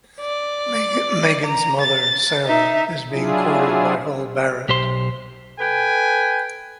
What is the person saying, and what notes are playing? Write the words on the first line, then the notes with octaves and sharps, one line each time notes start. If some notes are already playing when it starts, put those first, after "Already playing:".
Megan's mother, Sarah, is being courted by Hull Barret.
D5
A#5
A6
D#4 E5
F#3 D4 E4 F4 G#4
B1 G4 C5 C6
A4 B4 G5 G#5